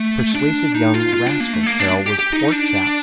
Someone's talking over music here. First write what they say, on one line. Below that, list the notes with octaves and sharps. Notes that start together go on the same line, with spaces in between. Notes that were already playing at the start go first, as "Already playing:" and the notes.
Persuasive young rascal, Carroll Was--poor chap ...
Already playing: A3
D4
D#4
F4
F4
D4
A#3
A3
A#3
D4
G4
G4
D#4
D4